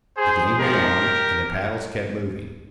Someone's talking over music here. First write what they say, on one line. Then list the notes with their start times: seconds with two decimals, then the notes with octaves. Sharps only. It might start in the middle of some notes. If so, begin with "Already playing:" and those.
The game went on, and the paddles kept moving.
0.17 G#4 C5
0.58 G#2 F3 G4 A#4